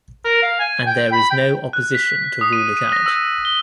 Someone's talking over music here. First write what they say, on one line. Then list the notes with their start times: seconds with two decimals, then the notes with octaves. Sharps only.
And there is no opposition to rule it out.
0.25 A#4
0.43 F5
0.60 G#5
0.86 G5
1.12 B5
1.31 G5
1.73 F#6
1.94 B6
2.24 B6
2.41 D#6
2.53 D#7
2.77 D#7
2.92 A#6
3.06 E6
3.45 G7